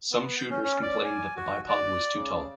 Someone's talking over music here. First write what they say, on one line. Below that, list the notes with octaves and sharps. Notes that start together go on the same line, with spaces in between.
Some shooters complained that the bipod was too tall.
B3
G6
C#4
C#4
D5
G#5
F#4
D5
C#3